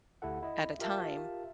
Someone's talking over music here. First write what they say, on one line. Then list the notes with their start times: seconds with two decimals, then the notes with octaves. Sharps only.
at a time,
0.22 D2 E4 G4 A4 F#5
0.43 E4 D#5
0.79 F4 G4 A#4 E5 F5 A5